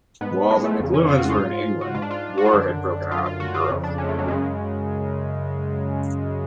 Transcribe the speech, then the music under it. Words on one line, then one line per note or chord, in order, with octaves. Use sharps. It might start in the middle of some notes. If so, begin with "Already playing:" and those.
While the McLuhans were in England, war had broken out in Europe.
G#2 B3
G#3
A3
F2 C#3
C#4
F4
F#4
F4
G#2
F#4
G#2 F4
D4
F4
F#4
F4
F#2 D3 D4
F#2 D3 F4
F4
F#4
F4
F2 C#3
D4
C#4
G#3
A3
F#3
F#2 C#3 G#3